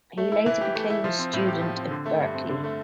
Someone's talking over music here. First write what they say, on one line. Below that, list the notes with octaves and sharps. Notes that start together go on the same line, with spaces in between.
He later became a student at Berklee.
A3
E4
E3
G4
A3
E4
F3
C4
A2
G4
F3
C4
D3
A3
G2
C4
D3
A3